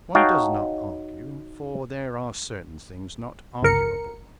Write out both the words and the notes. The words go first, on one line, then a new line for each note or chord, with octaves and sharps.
One does not argue, for there are certain things not arguable.
D#4 F#4 C#5 F5 G5 A5
G1 C#2 A#4 C#7